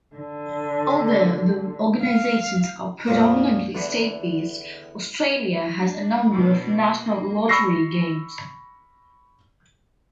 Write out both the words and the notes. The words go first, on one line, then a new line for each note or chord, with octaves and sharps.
Although the organisations are predominantly state-based, Australia has a number of national lottery games.
D3
F5
A#1 F2 A#2 C4 F4 D6
E2 D3
D4
B2 D4
A#3
B5 C#6 E6 A#6 C7